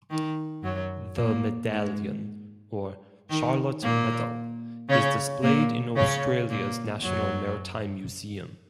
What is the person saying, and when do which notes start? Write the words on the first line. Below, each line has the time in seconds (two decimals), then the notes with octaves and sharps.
The medallion, or "Charlotte Medal", is displayed in Australia's National Maritime Museum.
0.10 D#3
0.63 F#2 F#3
1.17 A#2 A#3
1.70 G#2 G#3
3.30 D#3
3.83 A#2 A#3
4.89 C#3 C#4
5.43 A#2 A#3
5.96 C#3 C#4
6.49 A#2 A#3
7.02 F#2 F#3